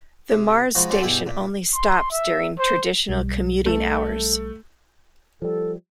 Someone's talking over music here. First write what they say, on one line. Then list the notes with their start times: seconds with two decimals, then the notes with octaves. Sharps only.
The Mars station only stops during traditional commuting hours.
0.31 C3
0.75 F3 G#3 D#4 F#4
0.90 G3 C4 C#4 F#4 A4
1.02 G2 B2 E4 G#4 G5
1.26 A#2
1.74 C6
2.11 E5
2.59 C5
3.09 B1 G3
3.66 A3
5.42 F3 G3 A4